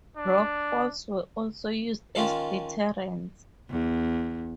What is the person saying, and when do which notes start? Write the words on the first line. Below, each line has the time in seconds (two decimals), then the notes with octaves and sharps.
Rock falls were also used as deterrents.
0.17 D4
2.15 D#3 G#3 C#4 F4 F5 A5
3.70 E2